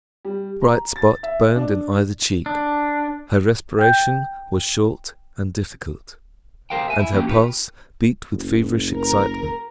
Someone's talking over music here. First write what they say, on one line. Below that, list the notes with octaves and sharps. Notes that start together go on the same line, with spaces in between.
A bright spot burned in either cheek, her respiration was short and difficult, and her pulse beat with feverish excitement.
G3
A#5
A6
E5
D4
D4
G5 G6
G4 A#4 C5 F5 G5
E5 G#5
E4
E3 A#3 C#4 F#4 G4
D#4 F4 G4 B4
F#1
A#4